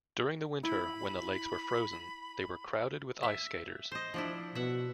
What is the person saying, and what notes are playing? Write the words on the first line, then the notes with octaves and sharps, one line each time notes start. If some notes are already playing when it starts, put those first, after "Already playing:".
During the winter, when the lakes were frozen, they were crowded with ice skaters.
E4 B5
E5
C5 D#5
F3 D4 E4
B2 E5 F#5